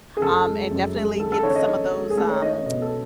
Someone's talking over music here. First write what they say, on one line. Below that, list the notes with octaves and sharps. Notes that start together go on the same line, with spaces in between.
um, and definitely get some of those, um,
G#4
F#1 A4
G#3
F#2
G#3
D#3 A4
A4
D#3 C#5
D#5
D#3
G#3
G#4
A3 A4
C#5
D#4 D#5
D#5
B2 D#5
A4